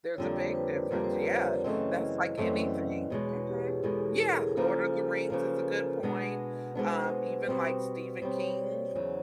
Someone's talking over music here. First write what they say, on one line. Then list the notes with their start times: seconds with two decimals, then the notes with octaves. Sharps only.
There's a big difference, yeah, that's like anything, mhm Yeah, Lord of the Rings is a good point, um, even like Stephen King's,
0.14 C#5
0.18 F2 D3 G3 A#3 D5
0.37 C5
0.51 C5
0.55 B4
0.73 A#4
0.91 F2 D3 G3 A#3 A#4
1.04 C5
1.09 B4
1.28 C#5
1.46 D5
1.64 F#2 C#3 E3 A3 C4 D#5
2.38 F#2 C#3 E3 A3 C4 D5
3.10 E2 B2 G#3 C#5
3.29 B4
3.47 G4
3.65 G#4
3.83 E2 B2 G#3 A4
4.20 A#4
4.34 A4
4.38 G#4
4.56 C#3 F3 A#3 A4
4.94 A#4
5.30 C#3 F3 A#3 B4
6.03 B2 G#3 B3 D4
6.75 B2 G#3 B3 D4 C5
6.89 B4
7.02 C5
7.48 B2 G3 C4
8.22 B2 G3 C4 C#5
8.31 C5
8.39 C#5
8.59 D5
8.95 E2 C#3 F#3